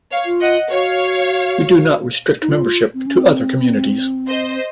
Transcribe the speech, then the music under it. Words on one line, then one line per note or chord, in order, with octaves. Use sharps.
We do not restrict membership to other communities.
C#5 F5
F4
D#5 F#5
F#4 C#5 F5
D#4
F4
C4
C#4
C4
C5 D#5